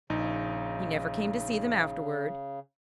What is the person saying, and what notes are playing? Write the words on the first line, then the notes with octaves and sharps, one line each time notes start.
He never came to see them afterward.
A#1 C#3 D#4